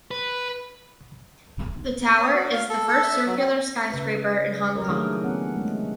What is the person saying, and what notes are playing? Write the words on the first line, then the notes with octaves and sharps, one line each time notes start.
The tower is the first circular skyscraper in Hong Kong.
B4
C#5
F#4
F5
A4
A4
E5
F#3
C4
C#3 B4 E5
F#3 G4 A#4 C#5
D#3 A3 D4 E4 G#4
A#3 B3 C#4 D4 F#5
G#3 A3